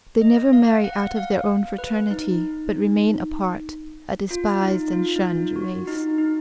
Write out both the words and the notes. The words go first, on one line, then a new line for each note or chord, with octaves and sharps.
They never marry out of their own fraternity, but remain apart, a despised and shunned race.
D#5
F5
F#5
F5
B4
D#4
F4
D#4
F4
D#4
F4
F#4
D#4
D#4